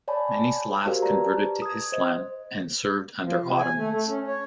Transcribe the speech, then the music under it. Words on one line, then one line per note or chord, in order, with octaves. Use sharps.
Many Slavs converted to Islam and served under Ottomans.
C#5 D5 G#5 A5 B5
F#4 G4 A#4 C5 F5
G4 B4 D5 A5 A#5
D#6 G#6
C5 D#5
F3
C3
G#5
A3
A3
C#4
C#5